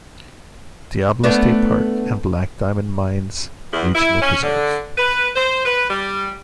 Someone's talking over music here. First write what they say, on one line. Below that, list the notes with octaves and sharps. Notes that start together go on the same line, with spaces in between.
Diablo State Park and Black Diamond Mines Regional Preserve.
A3 B3 D4
E2
E4
C#4
D3
B4
C5
B4
G3